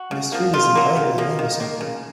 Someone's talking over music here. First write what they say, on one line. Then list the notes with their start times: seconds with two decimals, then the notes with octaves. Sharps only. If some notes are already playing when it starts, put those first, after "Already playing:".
This tree is entirely endocentric.
Already playing: F#4
0.11 C#3
0.32 F3 A#3
0.53 C#3 F4
0.75 F#3 A#3
0.97 C#3
1.18 F3 A#3
1.39 D#3
1.60 A#3
1.81 C#3